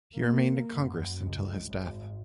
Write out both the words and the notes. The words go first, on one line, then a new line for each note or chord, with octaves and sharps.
He remained in Congress until his death.
A#3
F#2
C#2
G#1